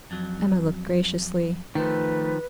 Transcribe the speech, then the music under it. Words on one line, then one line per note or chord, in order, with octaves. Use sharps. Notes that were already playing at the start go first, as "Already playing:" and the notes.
Emma looked graciously.
F2 F#3
D#3 F3 A3 B4